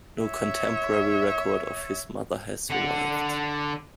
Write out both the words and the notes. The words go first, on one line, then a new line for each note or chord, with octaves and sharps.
No contemporary record of his mother has survived.
C#5 E5
D3 F#5